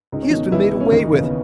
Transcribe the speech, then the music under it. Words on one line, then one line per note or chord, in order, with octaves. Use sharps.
He has been made away with.
C#2 D#4
C#4
B2 D#3 D#4
C#2 E3 E4
B2
C#4
D#2 D#3 D#4
C#3 E3
B3